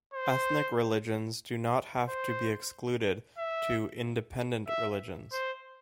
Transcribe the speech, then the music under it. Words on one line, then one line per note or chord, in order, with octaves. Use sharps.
Ethnic religions do not have to be excluded to independent religions.
C5
C5
E5
E5
C5